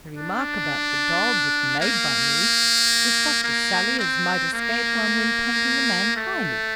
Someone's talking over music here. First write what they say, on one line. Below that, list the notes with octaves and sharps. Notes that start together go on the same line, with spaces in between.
The remark about the dog, if made by me, was such a sally as might escape one when painting a man highly.'
D4
A#3
A#3
C4
A#3
A3